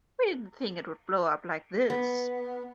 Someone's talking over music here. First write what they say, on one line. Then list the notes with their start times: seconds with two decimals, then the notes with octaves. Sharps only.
We didn't think it would blow up like this.
1.90 B3